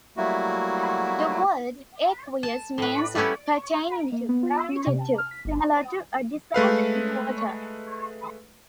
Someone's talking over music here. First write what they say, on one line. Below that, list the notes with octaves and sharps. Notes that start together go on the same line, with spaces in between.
The word "aqueous" means pertaining to, related to, similar to, or dissolved in water.
F#3 G3 A3 A#3 E4 F#4
A5
A2 B4
G3 A3 B3 C#4 E4
A#3
B3
F4
E6
C#4
C3
A5
F6
B6
G1
G#3 A3 B4 F5